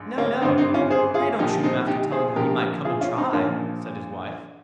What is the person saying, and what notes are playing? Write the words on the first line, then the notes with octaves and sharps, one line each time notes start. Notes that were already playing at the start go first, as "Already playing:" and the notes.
'No! no! pray don't shoot him after telling him he might come and try', said his wife.
Already playing: A#1 G#2
A#3 C#4
G#1 G2 D#3 C4 D#4
C4 D#4
C#4 F4
G#4 C5
F4 G#4
C2 A#2 F3 D#4 G4
C4 D#4
D#4 G4
G#4 C5
G#4
A#1 A#2 F3 G4 A#4
F4 G#4
C#4 F4
C4 D#4
A#1 A#2 F3 A#3 C#4